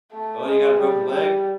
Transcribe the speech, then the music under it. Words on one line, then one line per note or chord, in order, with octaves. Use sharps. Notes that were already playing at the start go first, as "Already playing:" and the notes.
"Oh, you got a broken leg?"
A3
G#3
G3
G3